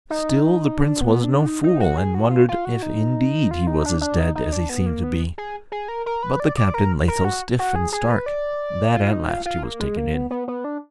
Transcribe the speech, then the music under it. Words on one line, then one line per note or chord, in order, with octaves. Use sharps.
Still, the prince was no fool, and wondered if indeed he was as dead as he seemed to be; but the captain lay so stiff and stark, that at last he was taken in.
D#4
D4
B3
D4
D#4
D#4
F#4
G#4
F#4
F4
F4
F#4
D#4
F4
D#4
D4
D4
D#4
D#4
D4
B3
A#3
B3
G#4
G#4
A#4
A#4
B4
D5
D5
A#4
A#4
F#4
F#4
G#4
G#4
B4
D5
F4
D#4
F4
F4
A#3
G#3
A#3
B3
B3
B3
D4